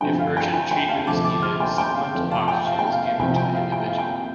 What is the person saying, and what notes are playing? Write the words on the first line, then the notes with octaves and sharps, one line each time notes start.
If urgent treatment is needed, supplemental oxygen is given to the individual.
G2 D3 F3 A3 C4 G5
F5
G5
G5
G5
F5 A5
D2 C3 F3 A3 C4 A5 D6
A5 D6
C6 F6
G5 C6
G5
F5
F2 C3 F3 A3
F5 A5
G5
F5
G5
F5
F5
C2 C3 F3 C4 G5
G5
F5
G5
F5
G5